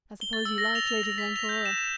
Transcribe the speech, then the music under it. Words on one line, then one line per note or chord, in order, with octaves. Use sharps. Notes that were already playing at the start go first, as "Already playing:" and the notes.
"I suppose you like Lady Glencora?"
G7
A6
E6
A#6
F7
F7
A#6
B6
F7
G6
E7
E7